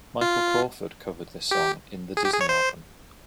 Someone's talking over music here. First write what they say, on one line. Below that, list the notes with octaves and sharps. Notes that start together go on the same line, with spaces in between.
Michael Crawford covered this song in "The Disney Album".
F4
G4
G#4
G4
G#4
C#5
C5